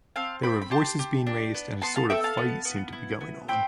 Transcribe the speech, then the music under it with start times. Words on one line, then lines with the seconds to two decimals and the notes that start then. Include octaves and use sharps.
There were voices being raised and a sort of fight seemed to be going on...
0.16 C4 F5 A5
0.43 C4 G5 B5
0.61 B5
0.71 G4 A5 C6
0.99 G4
1.26 D4
1.54 B3
1.82 B3 A5 C6
1.96 F5 A5
2.10 A4 E5 G5
2.24 F5 A5
2.37 B3
2.65 B3
2.93 E4
3.21 B3
3.48 C4 G5 B5